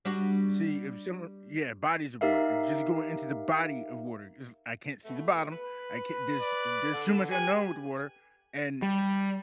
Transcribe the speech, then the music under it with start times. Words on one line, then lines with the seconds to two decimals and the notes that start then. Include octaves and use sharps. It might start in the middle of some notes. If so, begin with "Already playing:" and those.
see, if some yeah, bodies of water, just go into the body of water 'cause I can't see the bottom, I can't there's there's too much unknown with water, and
0.05 G3 D4 F#4
2.21 D#4 G4 A#4 E5 F5
5.05 B2 A3
5.52 B4
6.41 D5
6.93 D3
7.31 G4 B4 G#5
8.82 G3